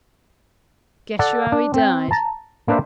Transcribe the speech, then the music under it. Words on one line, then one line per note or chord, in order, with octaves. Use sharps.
Guess yo' how he died?'
A4 D5 F#5
D4
C4 G5
A5 A#5
A#3 D4 B4 C5 E5